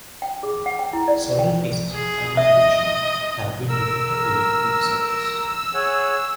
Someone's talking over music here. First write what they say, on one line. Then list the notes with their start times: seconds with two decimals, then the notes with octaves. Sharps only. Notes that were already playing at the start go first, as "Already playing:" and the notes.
Several cases of tanning addiction have been reported by medical researchers.
0.22 G5
0.43 G#4
0.66 F#5
0.79 G5
0.93 E4
1.08 D5
1.39 G5
1.92 G#4
2.37 D#5 E5
3.69 A#4 E6
5.74 G#4 C#5 F#5